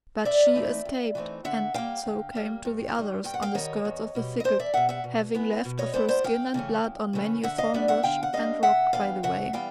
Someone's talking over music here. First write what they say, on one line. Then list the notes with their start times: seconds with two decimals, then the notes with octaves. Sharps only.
But she escaped and so came to the others on the skirts of the thicket, having left of her skin and blood on many a thornbush and rock by the way.
0.25 G2 D5 E5
0.56 E3 A3 C4 D#4
0.85 G2
1.15 E3 A3 C4 D#4
1.44 D3 E5 F#5
1.74 G3 A#3 F5 G5
2.05 D3
2.35 G3 A#3
2.65 G2
2.95 D#3 G3
3.24 G2 G5
3.34 F#5
3.42 F5 G5
3.55 D#3 G3 C#5 D#5
3.85 E2
4.15 B2 G3
4.40 D#5
4.44 E2 C5 D5
4.59 D5 E5
4.74 B2 G3 E5 F#5
4.89 E5 F#5
5.04 B2
5.35 G#3 B3 E4
5.65 B2
5.79 C#5 D#5
5.94 G#3 B3 E4 C5 D5
6.09 C5 D5
6.24 F#2 F5 G5
6.54 C#3 E3 A3 C#4
6.84 F#2
7.13 C#3 E3 A3 C#4
7.43 D3 E5 F#5
7.58 D#5 F5
7.74 G3 B3 D4 D5 E5
7.88 E5 F#5
8.03 D3 F5 G5
8.23 F#5
8.33 G3 B3 D4 D#5 F5
8.63 C#3 E5 F#5
8.93 E3 G3 B3 D4 F5 G5
9.23 C#3 E5 F#5
9.53 E3 G3 B3 F5 G5